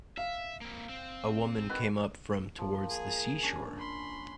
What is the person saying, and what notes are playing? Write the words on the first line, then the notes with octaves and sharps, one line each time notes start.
A woman came up from towards the sea shore.
E5 F5
A#3 C4
C4
D#3 F#4 B4
F3 A#3
G#4
C#4 D4
B5 C6